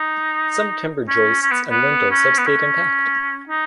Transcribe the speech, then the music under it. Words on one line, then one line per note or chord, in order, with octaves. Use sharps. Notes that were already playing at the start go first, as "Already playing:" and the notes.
Some timber joists and lintels have stayed intact.
Already playing: D#4
C#4
C#4
B3
B3
C#4
B3
C#4
D#4